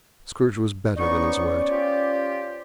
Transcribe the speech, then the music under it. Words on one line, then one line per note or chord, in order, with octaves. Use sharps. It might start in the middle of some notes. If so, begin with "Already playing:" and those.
Scrooge was better than his word.
B3 C#4 D#4 C5 D5 C#6
F4 G4